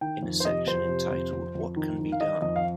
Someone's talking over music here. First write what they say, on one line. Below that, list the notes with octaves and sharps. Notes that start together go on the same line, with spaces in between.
In a section entitled What Can Be Done?
D#3 G5
F2
C5
C3 D#5
F2 C5
C3
F2
F2
F2
D#3
D#3
F5
D#3 D#5
F2 D#5
F5